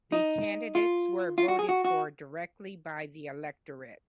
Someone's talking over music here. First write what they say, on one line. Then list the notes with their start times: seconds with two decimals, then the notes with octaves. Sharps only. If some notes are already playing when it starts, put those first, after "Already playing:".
The candidates were voted for directly by the electorate.
0.12 D#4
0.75 F4
1.38 F4
1.48 F#4
1.59 G#4
1.69 F#4
1.85 F#4